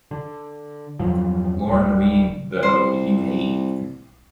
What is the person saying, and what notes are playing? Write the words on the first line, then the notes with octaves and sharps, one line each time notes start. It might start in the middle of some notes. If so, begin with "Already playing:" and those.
Lauren Reed, though, you hate.
D3
E2 G2 F3 F#3
D1 G3
C2 C5